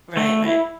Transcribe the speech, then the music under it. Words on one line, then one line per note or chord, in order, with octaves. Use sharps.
right, right.
A3
E4